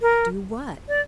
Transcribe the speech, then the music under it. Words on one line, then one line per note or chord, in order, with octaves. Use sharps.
"Do what?"
A#4
D5